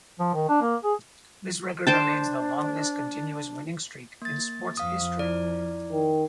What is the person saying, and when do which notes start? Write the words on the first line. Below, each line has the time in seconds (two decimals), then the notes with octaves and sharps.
This record remains the longest continuous winning streak in sports history.
0.19 F3
0.34 D#3
0.49 D4
0.61 A#3
0.84 G#4
1.87 D4 C5 G5 A5
4.22 A#3 A6
4.77 F2 F3 F5 D#6
5.19 E4 D5
5.91 D#3